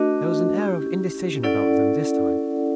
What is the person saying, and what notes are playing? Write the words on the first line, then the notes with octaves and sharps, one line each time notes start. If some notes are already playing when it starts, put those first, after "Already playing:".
There was an air of indecision about them this time.
Already playing: A3 D4 F#4 A#4 D#5
C#4 E4 G4
C#4 E4 A4 D5 F#5